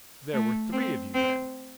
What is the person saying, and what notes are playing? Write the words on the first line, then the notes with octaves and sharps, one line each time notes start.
"There were three of you, then."
A3
C4
C4